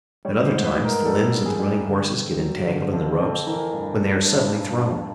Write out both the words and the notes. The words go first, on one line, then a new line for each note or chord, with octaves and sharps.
At other times, the limbs of the running horses get entangled in the ropes, when they are suddenly thrown.
G3 C#5
C5
G#2
B4
G#2
A#4
G3 A4
G3
G#4
G3
D3 A4
F2
F#3
D3
F2
F2
E3 A#4
G2
G2
G2 B4
G2
G2